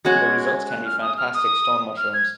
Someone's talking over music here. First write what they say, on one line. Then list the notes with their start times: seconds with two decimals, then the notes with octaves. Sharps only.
The results can be fantastic stone mushrooms.
0.05 G#3 C#4 F#4 G#6
0.70 F#6
0.85 F6
1.02 D#6
1.18 F6
1.34 D#6
1.97 F6
2.14 G#6